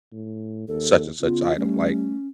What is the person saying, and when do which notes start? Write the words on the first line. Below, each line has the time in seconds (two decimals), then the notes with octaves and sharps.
such and such item," like,
0.12 A2
0.68 D#2 A4
1.21 C#3 B3 F4
1.56 G3 A3 C#4